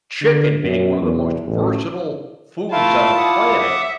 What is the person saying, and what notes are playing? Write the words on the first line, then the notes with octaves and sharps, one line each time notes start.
chicken being one of the most versatile foods on the planet,
D3
F#2
E2
A1
A3 E4 F4 A#4 F5 A5
F#5 D6 D#6
E5